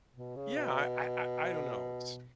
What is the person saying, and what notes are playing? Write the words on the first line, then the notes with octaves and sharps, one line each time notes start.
Yeah. I I I I don't know. S
B2
C#3
B2